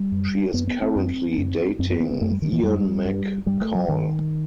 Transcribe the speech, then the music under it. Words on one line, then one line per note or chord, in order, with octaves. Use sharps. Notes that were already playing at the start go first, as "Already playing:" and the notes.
She is currently dating Ian McCall.
Already playing: G3
F#2
F#2 B3
B3
C4
F#2
F#2
F#2 C4
B3
B3
B3
F#2 A3
G3
D#3
E3
F#2 G3
G2
G2 G3
A3
F#3
G2 D#3